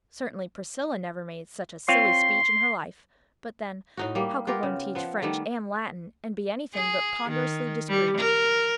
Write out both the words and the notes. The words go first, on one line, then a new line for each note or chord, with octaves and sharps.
Certainly Priscilla never made such a silly speech in her life; but then, how could one teach French and Latin, and be anything but ponderously discreet?
C4 F4 C#5 C6
A2 D#4 F#4
G3 A#3
B3 F4 G4 A#4
C#3
F3 B3
D#3 G3 A3 B3
G#4
D#3
G3
A#4